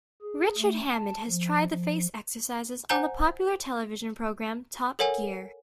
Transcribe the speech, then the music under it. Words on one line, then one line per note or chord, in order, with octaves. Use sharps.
Richard Hammond has tried the face exercises on the popular television program Top Gear.
G#4
A3
A5
F3
F3
C5 F#5 G#5 A#5 G6 G7
A4 A#4 C#5 F#5 G#5